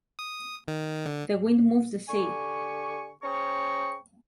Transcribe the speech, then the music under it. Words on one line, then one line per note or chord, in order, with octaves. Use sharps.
The wind moves the sea.
D#6
D#3
D3
D3 G4 G#5 C#6
C#4 G#4 C5 G5 A#5 C#6